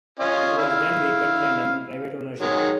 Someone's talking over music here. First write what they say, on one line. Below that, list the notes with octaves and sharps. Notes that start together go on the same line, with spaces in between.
It was then vacant and in private ownership.
C#4 F4 D#5
E4 F5
D#3 F#3 G#3